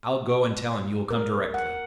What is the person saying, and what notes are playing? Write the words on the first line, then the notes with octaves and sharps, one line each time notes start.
"I'll go and tell him you will come directly."
A#4
F#5